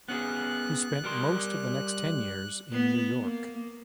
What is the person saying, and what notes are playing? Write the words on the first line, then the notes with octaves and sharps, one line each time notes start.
He spent most of the next ten years in New York.
B3 C#4 G#4 F#6
G3 A#4 C6
B3
A#3